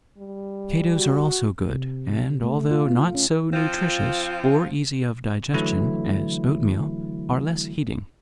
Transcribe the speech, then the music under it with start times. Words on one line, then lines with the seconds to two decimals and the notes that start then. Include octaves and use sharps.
Potatoes are also good, and although not so nutritious, or easy of digestion, as oatmeal, are less heating.
0.18 G3
0.95 F#4
1.68 C3
2.43 A3
2.71 F4
3.15 C#4
3.53 F3 C4 F4
5.54 D3 E3 F#3 A3 E4